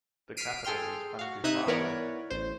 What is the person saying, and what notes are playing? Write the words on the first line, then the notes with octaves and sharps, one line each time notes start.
The capital is Ungoofaaru.
F6 B6 C7 D7 D#7
G#4 A4 G5 C6 F6
F#4 F5
C3 D#4 E5 D#6 F#6 G#6
E3 B3 A#4 B4 C#5 D5
A1 C5